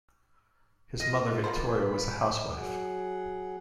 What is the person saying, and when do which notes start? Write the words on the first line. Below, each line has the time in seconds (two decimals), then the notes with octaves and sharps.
His mother, Victoria, was a housewife.
1.00 F4 D#5 F5
1.44 A#3 F#4 C5 B5
2.56 F#3 G#4 F#5